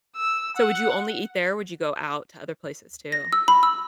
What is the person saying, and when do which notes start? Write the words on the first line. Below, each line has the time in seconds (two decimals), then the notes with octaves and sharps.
So, would you only eat there or would you go out to other places too?
0.17 E6
0.57 F#5
3.12 A#6
3.33 E6
3.48 B5
3.63 E6